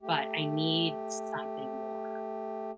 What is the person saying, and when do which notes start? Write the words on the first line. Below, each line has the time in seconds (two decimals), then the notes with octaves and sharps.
but I need something more,
0.02 A3 G4